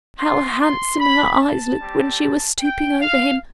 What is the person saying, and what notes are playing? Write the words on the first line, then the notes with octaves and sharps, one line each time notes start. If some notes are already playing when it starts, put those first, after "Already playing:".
How handsome her eyes looked when she was stooping over him!
B3 F4 C6
C6
B5
A5
G3 C4 G4
G5
F5